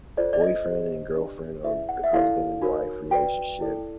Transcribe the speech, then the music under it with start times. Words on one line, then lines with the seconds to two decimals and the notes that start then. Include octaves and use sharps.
boyfriend and girlfriend or g husband and wife relationship.
0.17 F4 A4 C5 D5
0.33 D5
0.41 D#5
0.65 G4 C5
1.15 D4 G4 B4 D5
1.64 E4 G#4 B4 D5 E5
1.89 F#5
2.04 E5
2.13 E4 A4 D5 F5
2.62 D#4 F#4 A#4 C#5
3.11 F#4 B4 D5 G5
3.60 E4 A4 D5